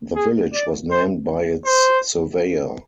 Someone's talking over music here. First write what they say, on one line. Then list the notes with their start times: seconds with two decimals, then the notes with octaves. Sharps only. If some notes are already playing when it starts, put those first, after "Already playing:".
The village was named by its surveyor.
0.16 G#4
0.54 D5
0.91 C5
1.65 C5